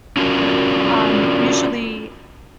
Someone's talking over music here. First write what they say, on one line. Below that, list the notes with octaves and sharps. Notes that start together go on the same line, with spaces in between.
um, usually
C#4 D4 F4 F#4 A#4